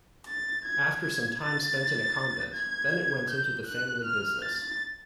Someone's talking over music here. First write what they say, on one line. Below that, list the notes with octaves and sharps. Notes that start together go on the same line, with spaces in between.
After some time spent in a convent, Bennett went into the family business.
A6
G#6
G#6
A6
G#6
G6
F#6
F6
A6